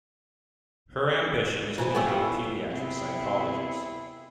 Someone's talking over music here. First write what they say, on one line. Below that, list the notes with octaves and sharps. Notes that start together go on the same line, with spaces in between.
Her ambition is to become a pediatric psychologist.
B2 E3 F4 C5 G#5
B3 E4 G4 A4 C#5 G#5 C#6 E6
C3 B3 C4 E4 G#4